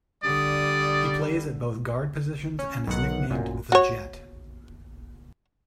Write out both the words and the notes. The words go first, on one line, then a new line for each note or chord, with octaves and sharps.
He plays at both guard positions and is nicknamed "The Jet".
D3 G3 D5 D#6
C#4
B1 D#3 F#5
A1 F#2 A#2
F#4 C#5